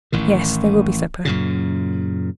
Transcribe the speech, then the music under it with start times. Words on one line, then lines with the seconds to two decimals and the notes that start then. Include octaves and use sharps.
"Yes, there will be supper."
0.12 A1 A2 D#3
1.25 F#2 A#2 C#3